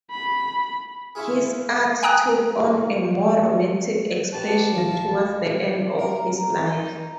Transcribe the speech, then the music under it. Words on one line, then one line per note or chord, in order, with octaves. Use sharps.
His art took on a more romantic expression toward the end of his life.
B5
C#4 E4 F4 G#4
G5 G#5 A#5 D#6 F#6
F#4 G4 B4 A5
A#1 F5 A#6
D4
A#4
D#4